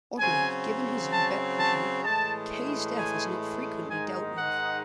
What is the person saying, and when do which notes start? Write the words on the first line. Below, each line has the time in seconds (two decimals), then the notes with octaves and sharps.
Oddly, given his ubiquity, Kay's death is not frequently dealt with.
0.19 C#3 F#3 C4 G#5
1.12 A5
1.58 A5
2.04 A2 E3 G#3 A5
2.97 G#5
3.89 G#2 D#3 G#3 D#4 G#5
4.37 F#5